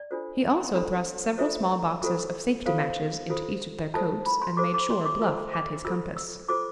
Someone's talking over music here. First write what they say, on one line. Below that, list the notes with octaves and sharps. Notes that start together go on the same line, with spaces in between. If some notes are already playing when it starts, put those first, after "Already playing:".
He also thrust several small boxes of safety matches into each of their coats, and made sure Bluff had his compass.
Already playing: D5
D4 F4 A4 C5
D4 F4 A4 C5
F4 A4 C5 E5
F4 A4 C5
F4 A4 C5 F5
F4 A4 C5
F4 A4 C5 A5
B5
C6
F4 A4 C5 D6
D6
C6
D6
F4 A4 C5 E6
D6
F4 A4 C5 E6
E6
F4 A4 C5 D6